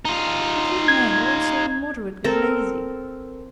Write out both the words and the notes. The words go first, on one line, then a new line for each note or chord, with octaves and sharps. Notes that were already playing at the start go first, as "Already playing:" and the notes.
But you men are all so immoderately lazy!
D#4 F4
G#6
C4 A4 A#4